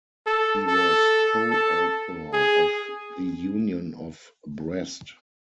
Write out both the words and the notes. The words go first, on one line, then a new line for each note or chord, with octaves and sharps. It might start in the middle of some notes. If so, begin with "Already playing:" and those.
He was co-author of the Union of Brest.
A4
A4
A4
G#4